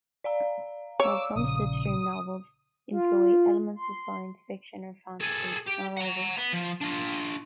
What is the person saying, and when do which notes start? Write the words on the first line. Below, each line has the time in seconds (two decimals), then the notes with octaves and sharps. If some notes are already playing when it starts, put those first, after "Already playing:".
While some slipstream novels employ elements of science fiction or fantasy, not all do.
0.24 D5 F5 A#5
1.00 C#5 D6 E6
1.36 A#1 C#3 D#6
2.91 F4
3.76 C6
5.20 G#4 A4
5.66 G4
5.97 F#5 A#5
6.37 B3
6.54 F3
6.81 D4 F4